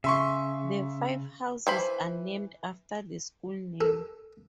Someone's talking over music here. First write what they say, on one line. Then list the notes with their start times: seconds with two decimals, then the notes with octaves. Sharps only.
The five houses are named after the school name.
0.04 C#3 E5 C6 C#6
1.67 E3 C5 B5
3.81 A4 A#4